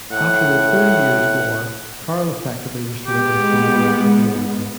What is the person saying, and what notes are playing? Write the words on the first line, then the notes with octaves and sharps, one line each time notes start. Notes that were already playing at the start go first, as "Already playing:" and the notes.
After the Thirty Years' War Karl effectively restored his dominions economically.
A2 F#5
G#3 B3 G4